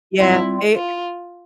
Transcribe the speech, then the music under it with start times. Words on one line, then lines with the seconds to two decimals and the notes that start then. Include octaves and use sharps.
Yeah. It
0.19 G3 C4 E4 F4
0.75 F4